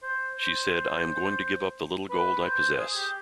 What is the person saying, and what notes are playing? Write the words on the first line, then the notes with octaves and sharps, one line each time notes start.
She said, ''I am going to give up the little gold I possess.
C5
C5
B4
C5
G#4
G4